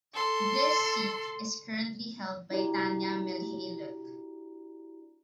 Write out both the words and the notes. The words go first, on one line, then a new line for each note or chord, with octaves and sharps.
This seat is currently held by Tania Mihailuk.
A4 C6
D4 E4 F#4 G4 D5 A#5